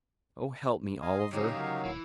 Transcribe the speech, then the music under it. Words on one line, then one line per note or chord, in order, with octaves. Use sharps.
"Oh help me, Oliver."
D#5 F5 G#5
D#5 C6
D2 C#3 F#3 C#4 D#4 G4 C#5
D#3 F#3 F5
D#1 E3